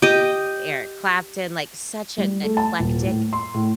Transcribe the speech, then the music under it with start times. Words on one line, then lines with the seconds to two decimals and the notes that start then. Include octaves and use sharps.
Eric Clapton, like such an eclectic,
0.02 G4 D#5
2.18 G3
2.43 A3
2.57 A5
2.79 D#1
3.04 A2
3.33 C6
3.54 A2